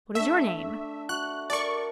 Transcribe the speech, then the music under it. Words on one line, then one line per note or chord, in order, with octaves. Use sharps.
"What is your name?"
A3 D4 E5
F#4 F#6
A#4 D5 A5 C#6